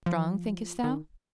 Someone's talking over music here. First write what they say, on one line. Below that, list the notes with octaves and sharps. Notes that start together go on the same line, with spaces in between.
"Strong, thinkest thou?"
F3
D#3